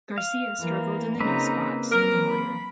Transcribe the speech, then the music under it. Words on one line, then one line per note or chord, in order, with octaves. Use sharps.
Garcia struggled in the new spot in the order.
F5
E3 A#3
C#3 A#3 C4 D#4 B4 A#5
F#3 A#4
B5